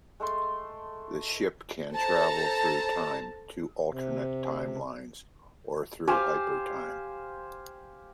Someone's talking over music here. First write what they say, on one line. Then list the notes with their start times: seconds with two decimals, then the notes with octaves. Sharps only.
The ship can travel through time, to alternate timelines, or through hypertime.
0.20 G#3 A3 A4 C6
1.92 A4 C5 A5 A#5
3.89 C3
6.07 G4 C5 F5 G#5